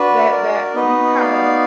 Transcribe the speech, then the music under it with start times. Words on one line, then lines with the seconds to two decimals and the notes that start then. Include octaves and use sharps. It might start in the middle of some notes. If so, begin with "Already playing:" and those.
that that we kinda
Already playing: D4 F#4 B4
0.31 A#4 D5
0.52 A#4 D5
0.74 B3 D#4 F#4 B4 D#5
1.20 D5 F5